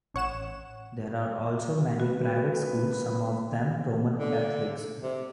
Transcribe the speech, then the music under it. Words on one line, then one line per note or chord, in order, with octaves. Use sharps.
There are also many private schools, some of them Roman Catholic.
A1 C#5 F#5 E7
G#1 F#4 B4
D3
C3